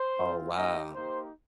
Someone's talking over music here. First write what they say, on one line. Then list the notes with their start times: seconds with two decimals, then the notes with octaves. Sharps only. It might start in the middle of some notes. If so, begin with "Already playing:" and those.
Oh, wow.
Already playing: C5
0.18 C4 F4
0.56 A#3 D#4 G4 D#5
0.94 A#3 D#4 G4 C5